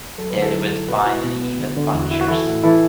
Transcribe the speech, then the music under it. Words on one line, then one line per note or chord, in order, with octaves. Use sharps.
Head with fine and even punctures.
F#3 A4
B4
D3
E4 A4
F#3
F#2
B2 F#4 B4
E4 F#4
B2
B3
D3
D3
E2 E4
F#4
E4
F#4
E3 E4 A4
A2 F#4
E3 E4 A4